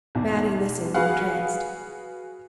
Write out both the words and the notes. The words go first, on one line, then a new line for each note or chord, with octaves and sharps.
Mattie listened entranced.
B1 E2
F#4 G#4 B4 F5 F#5